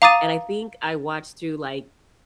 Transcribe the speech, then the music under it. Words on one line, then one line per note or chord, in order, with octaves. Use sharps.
and I think I watched through, like,
F5 A#5 D6 D#6 A6 D#7